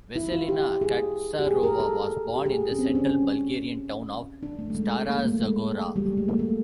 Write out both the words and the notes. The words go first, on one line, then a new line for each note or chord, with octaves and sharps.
Vesselina Katsarova was born in the central Bulgarian town of Stara Zagora.
E4
F4
G4
G#4
G4
G#4
A#4
A4
G4
G#4
C#4
C4
D4
C#4
C#4
D4
A3
A3
G#3
A#3
A#3
A3
G#3
G3
G#3
A3
A#3
A3